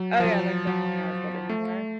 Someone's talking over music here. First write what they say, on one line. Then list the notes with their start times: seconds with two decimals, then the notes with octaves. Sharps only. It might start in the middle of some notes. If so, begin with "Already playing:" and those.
Oh yeah, they're definitely not as good anymore.
Already playing: F#3
0.20 F3
0.25 F#3
0.67 F#3
1.49 A3